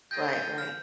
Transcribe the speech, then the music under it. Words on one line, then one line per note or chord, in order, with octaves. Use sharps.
Right, right.
F4 G#4 D#5 G5 G6
F6